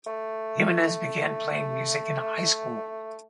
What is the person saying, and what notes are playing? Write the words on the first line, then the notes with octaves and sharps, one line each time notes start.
Jimenez began playing music in high school.
A3